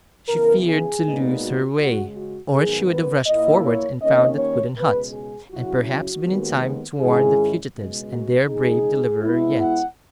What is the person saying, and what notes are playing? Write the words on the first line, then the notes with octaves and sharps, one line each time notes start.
She feared to lose her way, or she would have rushed forward and found that wooden hut, and perhaps been in time to warn the fugitives and their brave deliverer yet.
C#3 E3 B3 A#4
G#4
A#2 G#3 B3 D#4
F#4
C#2 C#3 G#3 F#4
F#4
G#2 D#3 F#3 B3 G#4
B4
A#2 A#3 E4 D#5
C#5
D#2 D#3 A#3 C#4 D#5
C#5
C#2 B2 G#3 B4
G#4
C#3 F#3 C#4 E4 F#4
F#4
D#2 D#3 G#3 B3
G#2 D#3 G#3 C#4 E4 G#4
C#2 B2 G#3
F#4
E2 C#3 G#3 D#4 G#4
B2 G#3 B3 E4
F#5